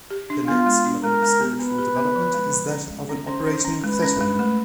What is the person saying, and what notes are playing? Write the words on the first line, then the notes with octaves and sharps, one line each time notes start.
The next level of spiritual development is that of an Operating Thetan.
G4
D4
B3 F4
G#3
D4
G#3 A#4
G#3
B3
B3 B4
G4
B3
F3
G#3
F3
C#4
G#3
C#4
C#4 C5
C#4
C#4
G#3 B4
C#4
G#3
A3